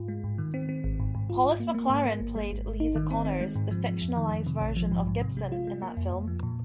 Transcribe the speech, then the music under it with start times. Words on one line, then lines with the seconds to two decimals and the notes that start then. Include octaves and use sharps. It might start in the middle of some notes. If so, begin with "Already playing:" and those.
Hollis McLaren played "Liza Conners", the fictionalized version of Gibson, in that film.
Already playing: G#2 F4
0.08 G#3
0.24 G#2
0.38 D#3
0.54 C4
0.69 C4
0.84 G#1
1.00 G#2
1.15 G#2
1.30 F4
1.44 G#2
1.60 A#3
1.74 A#3
1.89 G#2
2.05 A#3
2.20 G#1
2.36 G#3
2.51 G#1
2.65 G#1
2.80 D#4
2.96 D#3
3.11 C4
3.25 C4
3.41 G#3
3.56 G#2
3.71 F3
3.86 F3
4.01 F2
4.16 D#3
4.31 F2
4.47 C3
4.61 A#1
4.77 F3
4.92 G#2
5.07 G#2
5.22 C3
5.37 G#3
5.52 F4
5.67 G#3
5.82 A#3
5.97 F2
6.12 F2
6.28 F3
6.43 A#2